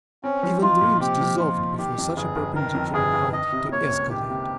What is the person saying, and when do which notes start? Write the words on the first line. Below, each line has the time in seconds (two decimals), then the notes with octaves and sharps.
Even dreams dissolved before such a perpendicular height to escalade.
0.23 C4 C#4
0.43 F3
0.62 D#4 F4
0.81 A#2
1.00 C4 G4
1.21 F3
1.39 D#4 F4
1.58 A#2
1.78 D#3 G4
1.98 F2
2.17 G1 G#4
2.36 G1
2.56 D#3 A#4
2.74 F2
2.94 G1 G#4
3.14 G1
3.33 D#3 D#5
3.52 C3
3.72 A#3 C#5
3.91 C#2
4.10 D#3 G4
4.30 C3